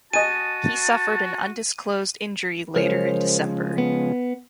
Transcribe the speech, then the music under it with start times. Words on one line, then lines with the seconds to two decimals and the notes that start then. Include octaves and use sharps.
He suffered an undisclosed injury later in December.
0.13 F#4 D#5 G#5 A5 D#7
2.76 C#3 F3 G#3 A#4 C5 C#5
3.78 B3